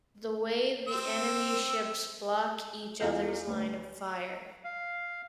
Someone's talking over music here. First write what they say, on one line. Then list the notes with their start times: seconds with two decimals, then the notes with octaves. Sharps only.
This way the enemy ships block each other's line of fire.
0.88 C4 E6
3.00 E2 E3 F4 A4 G6
3.47 D2 B4
4.64 F5